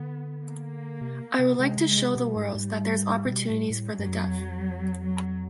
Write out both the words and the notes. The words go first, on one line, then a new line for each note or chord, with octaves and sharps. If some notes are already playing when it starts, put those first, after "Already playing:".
I would like to show the world that there's opportunities for the deaf.
Already playing: D3 B3
A#3
C3
C3
C3 G#3
C#3
G#3
C3
B2 G3
G#2
G#2
A#2
B2
A2
A2
F#3
G2
F#2
F2
F#3